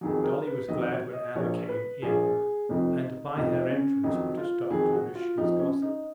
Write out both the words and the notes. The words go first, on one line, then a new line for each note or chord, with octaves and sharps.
Dolly was glad when Anna came in, and by her entrance put a stop to Annushka's gossip.
F2 D#3 F#3 G#4
G#4
A#4
B4
F2 D#3 F#3 D#5
C#5
D#5
A#1 A#2 F3 C#5
B4
A#1 A#2 F3 G#4
F1 F2 F3 D#4
F1 F2 F3 D#4
C#4
F2 D#3 F#3 D#4
F4
F2 D#3 F#3 G#4
F#4
F4
F2 F3 D#4
C#4
D#4